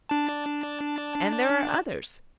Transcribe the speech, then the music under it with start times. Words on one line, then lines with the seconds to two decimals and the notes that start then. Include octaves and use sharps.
And there are others.
0.09 D4 A5